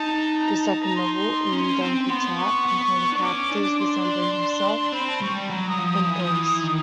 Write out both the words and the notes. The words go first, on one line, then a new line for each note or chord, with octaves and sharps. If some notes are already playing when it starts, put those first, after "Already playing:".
The second novel, "Eine dunkle Tat", included characters resembling himself and Droste.
Already playing: D#4 A5
A#5
A5
A#5
A5
A#5
C6
C#4
C4
B3 C6
C#6
B3
D4 C#6
C#4 D6
D4
C6
C4 B5
A5
G3 C#6
B5
F#3 A#5
D#6
F3
D#6
E3
F3
E3
D#3